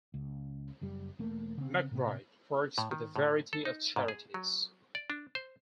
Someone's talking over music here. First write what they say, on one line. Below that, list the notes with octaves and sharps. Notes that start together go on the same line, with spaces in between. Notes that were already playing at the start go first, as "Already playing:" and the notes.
McBride works with a variety of charities.
C#2
F#1 F#2 G3
E1 A3 A#3
C#3 C4
A2 C3 B3
A2
D#3
A2
A4
D#4
G#2
G#4
F#3
D5
D4
C5